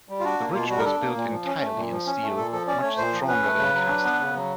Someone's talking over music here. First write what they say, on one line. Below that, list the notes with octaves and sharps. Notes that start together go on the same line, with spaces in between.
The bridge was built entirely in steel, much stronger than cast iron.
G3
F4
D4 F#4
A#3
B2 F4
G3 F#4
A#4
D4 A4
A#3
A#2
F3
C#4
A3
A#2
F3
C#4
A3
A#2 A4
F3 A4
C#4 D5
A3 C#5
A#2 C5
F3
C#4 B4
A3
C#3
F#3
D4
B3
C#3
F#3